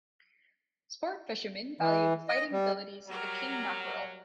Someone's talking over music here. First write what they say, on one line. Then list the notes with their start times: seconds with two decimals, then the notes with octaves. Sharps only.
Sport fishermen value the fighting abilities of the king mackerel.
1.81 E3
2.29 D#5
2.52 G3
3.08 F#3 G3 A#4